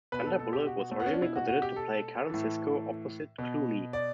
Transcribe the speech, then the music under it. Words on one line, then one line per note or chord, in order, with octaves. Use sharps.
Sandra Bullock was originally considered to play Karen Sisco opposite Clooney.
B2 B4
A4
A4
G4
F#4
A3
B3
C#4
D4
B2 E4
F#4
F#4
G4
A4
A2 E3
B2
D5